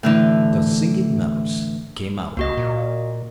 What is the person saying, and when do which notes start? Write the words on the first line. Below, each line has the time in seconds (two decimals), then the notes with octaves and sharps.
The Singing Mouse came out.
0.03 A2 D3 E3
2.37 C#2 A#3 F#4 D#5
2.57 A#2